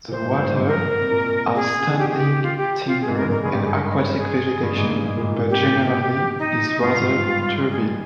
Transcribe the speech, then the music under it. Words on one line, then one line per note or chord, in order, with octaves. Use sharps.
The water has standing timber and aquatic vegetation but generally is rather turbid.
A#2
C5
G#2
G2
G#2
A#4
C3
A#2
C3 G#4
A#2
C#3
D#3
G4
G#4
G4
F4
G4
C3 F4
G#4
G#2
G2 A#4
G#2 A#4
G2 G#4
G4
G#2 G#4
A#4
D#5
C#5
C5
A#4
G#4
G2
G#2
G2
G#2
A#2
G#2
A#2
C3 G4
A#2
G#2
D#4
G2 F4
G#2
G3
G#4